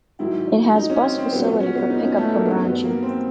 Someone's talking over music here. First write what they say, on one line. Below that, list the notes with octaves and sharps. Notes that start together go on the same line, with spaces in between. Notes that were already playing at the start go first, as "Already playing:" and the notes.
It has bus facility for pickup from Ranchi.
G#2 D#3 F#3 E4
D#4
C#4
C4
C4
A#2 F#3 B3
B3
C#4
B3
D#4
C#4
A3
A#3
G2 D#3 F#3 B3
B3
A#3
C4